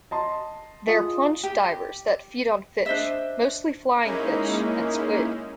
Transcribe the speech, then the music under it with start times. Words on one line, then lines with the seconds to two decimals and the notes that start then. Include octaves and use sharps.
They are plunge-divers that feed on fish, mostly flying fish, and squid.
0.11 D#5 A5 C6
0.87 G#3 F4 D#6
1.43 G4
2.86 D4 C5 D#5 E5
4.04 G#3 A#3 C#4 D#4 E4